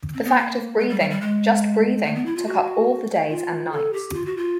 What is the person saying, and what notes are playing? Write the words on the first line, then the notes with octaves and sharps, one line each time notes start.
The fact of breathing, just breathing, took up all the days and nights.
C4
B3
A#3
G#3
G3
G3
G3
G#3
A3
B3
E4
F4
F#4
F4
A4
G4
F4
F#4
F4